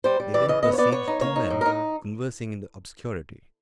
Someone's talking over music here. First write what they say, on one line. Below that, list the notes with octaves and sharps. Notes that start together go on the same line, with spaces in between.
They then perceived two men conversing in the obscurity.
G3 C5
G3
E3 D5
C#3 D#5
B3 D#5
C#5
B3 D5
B3 C#5
D#4
A#3 C#5
D#4
A2
A#4
D#4